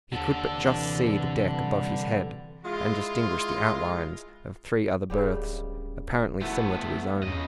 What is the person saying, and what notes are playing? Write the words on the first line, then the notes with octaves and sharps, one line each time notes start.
He could but just see the deck above his head, and distinguish the outlines of three other berths, apparently similar to his own.
D#2 D3 A4
C3 E3
G3
G#3 E4 F4
D1 C#3 G3 G4
E3 A3 B3 C4 F#4
E2 C#3 D#5